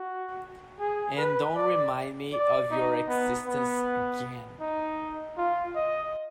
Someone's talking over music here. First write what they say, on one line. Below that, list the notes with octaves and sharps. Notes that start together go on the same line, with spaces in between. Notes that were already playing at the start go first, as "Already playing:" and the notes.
And don’t remind me of your existence again.
Already playing: F#4
G#4
B4
D5
D5
D#4
B3
B3
D#4
F4
D#5